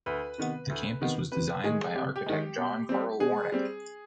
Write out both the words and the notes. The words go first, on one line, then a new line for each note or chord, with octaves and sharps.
The campus was designed by architect John Carl Warnecke.
D2 B4
C3 D#3 B3
D2
C3 D#3 B3
C3 B4
D#3 G#3 G#4
C3 G4
G4
D#3 G#3
B2
G3 C4
B2 G#4
G3 C4